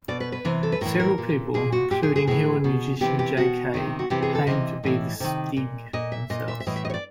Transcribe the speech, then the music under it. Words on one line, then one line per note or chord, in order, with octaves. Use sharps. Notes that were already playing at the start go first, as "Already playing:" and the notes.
Several people, including Hill and musician Jay Kay, claimed to be the Stig themselves.
B2 D5
B4
B4
C3 E3
A4
B4
A2 E3 A#4
A#4
A#2
A#2 G#4
F#4
A#2 G4
G#4
G#4
A2 E3 G#4
B2
C3 E3 G4
G4
B2 F#4
C3 D#3
F#4
C3 E3 G4
G#4
A4
C3 E3 D#5
A2 E3
C3 D#3
A#2
A#2 D#5
E5
A#2 D#5
E5
E5
A2 E3 D#5
E5
D#5
C#5
D5